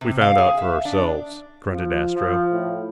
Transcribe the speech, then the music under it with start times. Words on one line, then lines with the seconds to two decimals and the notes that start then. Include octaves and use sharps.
"We found out for ourselves," grunted Astro.
0.01 C3
0.21 F5
0.38 G#4
0.57 E5
0.85 D4
1.72 F3
2.15 F3
2.52 A2